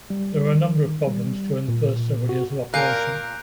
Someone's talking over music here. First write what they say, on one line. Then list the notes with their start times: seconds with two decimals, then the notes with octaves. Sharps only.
There were a number of problems during the first several years of operation.
0.10 G3
0.55 D#3
1.07 G3
1.68 A#2
2.29 F#4
2.74 A#2 A#4 F5 G#5 F#6 G6 D7